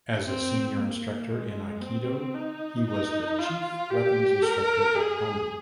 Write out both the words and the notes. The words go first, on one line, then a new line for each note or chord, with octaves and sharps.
As a senior instructor in Aikido he was the Chief Weapons Instructor at Hombu.
C4
A#3
G#3
C4
D#4
D#4
F4
G4
A#4
G#4